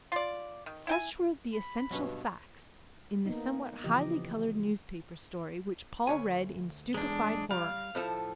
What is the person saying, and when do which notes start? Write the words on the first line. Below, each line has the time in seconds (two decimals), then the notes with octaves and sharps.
Such were the essential facts in the somewhat highly coloured newspaper story which Paul read in stupefied horror.
0.12 F4 D5
0.66 D#3
0.87 E4 G5 G#5
1.54 B5
1.91 G2 B2 F#3 C#4 B4
3.26 A#3 B3 D#4
3.84 C#3 E3 F3 G4 D#5
6.07 D2 C#5 G#5
6.94 B1 E2 G#3 D4
7.51 G3 F5
7.95 A2 F3 A4